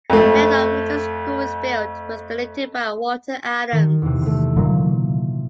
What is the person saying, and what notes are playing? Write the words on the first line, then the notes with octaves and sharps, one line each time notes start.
The land on which the school is built was donated by Walter Adams.
F2 A3
D#3
E2 C3
C3 A3
A#2 D3 F#3